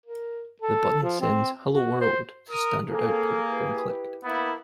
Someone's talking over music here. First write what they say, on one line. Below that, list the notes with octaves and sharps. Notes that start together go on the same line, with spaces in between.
The button sends "Hello world" to standard output when clicked.
A#4
A4
F3
C4
F#4
C5
A#4 D#6
A#3 C4 G#4 A4
E4 G4 B4
A#3 B3 E4